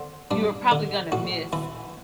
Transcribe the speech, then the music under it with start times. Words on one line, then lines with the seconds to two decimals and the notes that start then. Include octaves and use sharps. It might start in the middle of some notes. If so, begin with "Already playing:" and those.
you're probably gonna miss
Already playing: D3 C4
0.31 G2 D4
0.72 D3
1.12 A2 F#4
1.53 E3 E4